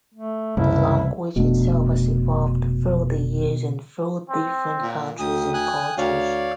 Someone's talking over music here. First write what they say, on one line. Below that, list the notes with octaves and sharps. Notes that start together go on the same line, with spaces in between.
The language itself has evolved through the years and through different countries and cultures.
A3
F#1 C2 E4
F1 B2 A3 D4
C4
A#2
D2 G5 D#6
G#5 D#6 F#6
D2 C#5 D5 F5